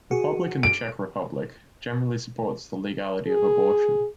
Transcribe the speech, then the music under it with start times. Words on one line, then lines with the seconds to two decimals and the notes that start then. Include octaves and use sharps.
The public in the Czech Republic generally supports the legality of abortion.
0.11 F#4 G#4
0.63 D7
3.27 G#4